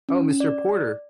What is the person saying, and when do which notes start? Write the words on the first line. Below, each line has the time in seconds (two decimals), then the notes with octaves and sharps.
Oh, Mr Porter!
0.09 C#4
0.40 D5